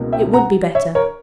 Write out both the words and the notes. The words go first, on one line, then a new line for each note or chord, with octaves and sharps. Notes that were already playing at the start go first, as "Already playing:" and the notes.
It would be better.
Already playing: C#2 B2 A#3 C#4 E4
E5 G5
F#5 A#5
C#5 E5
A#4 C#5